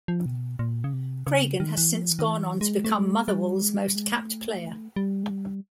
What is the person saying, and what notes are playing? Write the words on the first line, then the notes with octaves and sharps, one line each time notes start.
Craigan has since gone on to become Motherwell's most capped player.
F3
B2
A#2
C#3
C3
C#3
D#3
E3
F3
E3
D#3
E3
G#3
A3
G#3
G3
G#3
G3
G#3
A3
G3
G#3
G3